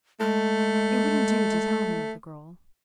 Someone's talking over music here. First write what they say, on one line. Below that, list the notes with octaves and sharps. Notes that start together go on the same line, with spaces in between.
It wouldn't do to tell him of the girl.
G#3 A3